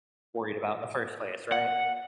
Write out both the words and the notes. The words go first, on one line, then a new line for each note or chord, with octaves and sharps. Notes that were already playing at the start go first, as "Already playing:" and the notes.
worried about in the first place, right?
F#5